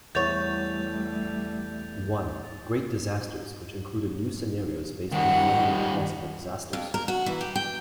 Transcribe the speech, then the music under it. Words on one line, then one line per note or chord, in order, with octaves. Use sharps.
I: Great Disasters, which included new scenarios based on a number of possible disasters.
E2 G3 A3 C#5 G6 A6 F7
D#3 G3 F#5
F2
A#4
F#4
E3
G4
G5